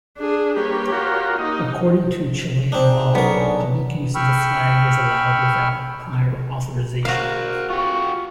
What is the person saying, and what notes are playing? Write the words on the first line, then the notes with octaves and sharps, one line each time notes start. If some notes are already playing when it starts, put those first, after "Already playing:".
According to Chilean law, public use of the flag is allowed without prior authorization.
D4 G#4
G3 A#3 G4 B4 C#5
F4 F#4 A#4
A#3 D#4 D#5
C4 D4 D#4 G4 G#4
B1 B3 C#4 D4 A#4
G5 B5 C#6 E6 F6
F#4 A#4 C5 F5
F4 G4 C#6